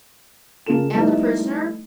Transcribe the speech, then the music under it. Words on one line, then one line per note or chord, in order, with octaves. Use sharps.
"And the prisoner?"
C#3 A#3 F4 A4 E7
F3 G3 A3 B3 D#4 E4